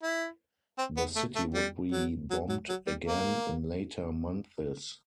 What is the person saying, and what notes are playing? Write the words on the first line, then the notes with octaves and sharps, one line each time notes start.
The city would be bombed again in later months.
E4
C4
B3
A3
A3
G3
F#3
F#3
F#3
F#3
G3
A#3